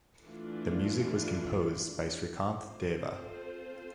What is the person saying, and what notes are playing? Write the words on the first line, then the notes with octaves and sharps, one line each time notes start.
The music was composed by Srikanth Deva.
E3 A3 D4 F4
C4 F4 A4 C5